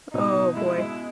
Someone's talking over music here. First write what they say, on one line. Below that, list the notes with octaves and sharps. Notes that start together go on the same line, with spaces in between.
Oh, boy.
B2 D#4
B2
G#3 E4
G#3